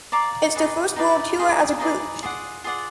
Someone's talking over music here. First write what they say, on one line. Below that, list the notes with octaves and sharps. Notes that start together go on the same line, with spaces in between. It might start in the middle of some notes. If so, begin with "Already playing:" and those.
It’s their first world tour as a group.
D5 F5 A#5 D6
D#4 G#4 B4 D5
D#4 G#4 B4 D5
D#4 G#4 B4 D5
D#4 G#4 B4 D5
F4 G#4 D5 F#5
F4 G#4 D5 F#5